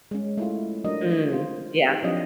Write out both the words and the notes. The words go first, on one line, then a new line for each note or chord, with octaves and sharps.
Mm, yeah.
G#3 C#4
A3 E4 F4
F#3 A3 D4 A#4 D#5
F4 C5
D#4 G4
F3 F#3 C4 D4 F4 D#5